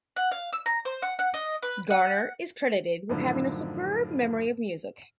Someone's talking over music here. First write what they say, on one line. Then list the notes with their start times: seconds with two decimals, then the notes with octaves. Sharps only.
Garner is credited with having a superb memory of music.
0.16 F#5
0.31 F5
0.53 E6
0.66 A#5
0.85 C5
1.02 F#5
1.19 F#5
1.34 D#5
1.63 B4
1.90 F#5
3.10 F#2 A2 D3 D#3 F3